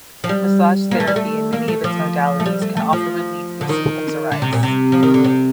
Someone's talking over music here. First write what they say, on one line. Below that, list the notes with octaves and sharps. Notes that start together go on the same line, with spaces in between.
Massage therapy, and many of its modalities, can offer relief if symptoms arise.
F3
G3
A#3
A3
G3
A3
A#3
A3
F3
A3
G3
A3
A3
F3
D3
D#3
D3
C3
A#2
C3
F3
D#3
D3
C3